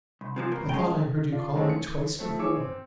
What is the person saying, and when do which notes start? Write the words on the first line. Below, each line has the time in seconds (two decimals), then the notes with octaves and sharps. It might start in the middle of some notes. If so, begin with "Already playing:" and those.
I thought I heard you call me twice before!
0.21 C2
0.36 C3 E3 F3
0.52 G2 A#3
0.69 G#3 C#4 G5
1.32 D4 F4
1.55 D3 G#3 A3 C4 C#4 A4
1.69 C#7
2.19 F3 A3 C4
2.38 D#3 G#4 C#5 D6 E6 C#7
2.56 C4